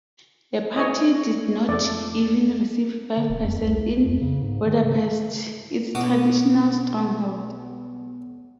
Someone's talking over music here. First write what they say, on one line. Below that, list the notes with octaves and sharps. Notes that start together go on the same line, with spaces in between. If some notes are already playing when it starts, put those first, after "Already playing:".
The party did not even receive five percent in Budapest, its traditional stronghold.
D4 E4 G#4 C#5 D#5
F2 A3 A4 D5
D3
D#1
F2
C2
C2
F2
C#3
G#2
D#3
C#3
B1 B2 F#4 D6 D#6